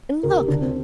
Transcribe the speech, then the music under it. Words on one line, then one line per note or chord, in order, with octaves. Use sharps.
And look!
D2 A#4
G4
D2 D4
C4